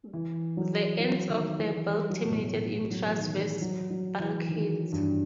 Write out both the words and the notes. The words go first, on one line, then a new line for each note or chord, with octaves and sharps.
The ends of the belt terminated in transverse bulkheads.
E3
F#3
F#3
D#3
E3
G3
F#3
B2
A2
A2
B2
F#3
E3
D#3
F#3
F#3
E3
D#3
G2